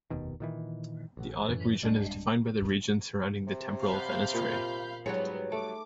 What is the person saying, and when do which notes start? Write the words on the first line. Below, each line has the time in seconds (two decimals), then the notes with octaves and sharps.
The otic region is defined by the regions surrounding the temporal fenestrae.
0.10 F1 D#2 B2 D#3
0.40 A#2 D#3 E3
1.17 A1
1.49 F#2 A2 E3
1.82 D1 G3 G#3 D4
3.47 C3
3.82 F5 B5 G6
4.34 A#2
5.06 G#2 F#3 G3 B3 C#5
5.52 A3 D6